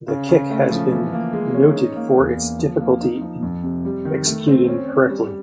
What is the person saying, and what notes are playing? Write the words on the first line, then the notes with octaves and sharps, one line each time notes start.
The kick has been noted for its difficulty in executing correctly.
C#3
C#3
A3
F3
E3
A#3
G#3
C#4
D#4
A#3
E2
A#3
F3
A#3
D#4
F3
F2
C3
G3
D#3
A3
C4
C#4
C#4
G3